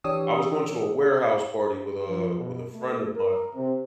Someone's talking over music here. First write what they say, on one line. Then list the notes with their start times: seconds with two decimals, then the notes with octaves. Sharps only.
I was going to a warehouse party with a with a friend of mine,
0.04 E3 D4 G4 C#5 D#6 E6
2.08 F3
2.39 B2
2.73 A3
3.16 A#4
3.55 C3